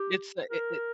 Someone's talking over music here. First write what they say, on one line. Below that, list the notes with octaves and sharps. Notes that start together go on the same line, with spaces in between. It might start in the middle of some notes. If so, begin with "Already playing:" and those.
it's, uh, it it
Already playing: G4
A#4